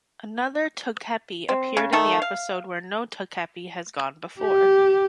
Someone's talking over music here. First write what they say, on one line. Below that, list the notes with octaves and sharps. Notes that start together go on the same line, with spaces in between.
Another Togepi appeared in the episode "Where No Togepi Has Gone Before".
C4
C#3
D#3 A3 A4
F5
G4